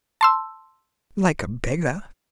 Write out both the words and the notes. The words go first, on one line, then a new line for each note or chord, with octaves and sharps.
"Like a beggar."
A5 C6 E6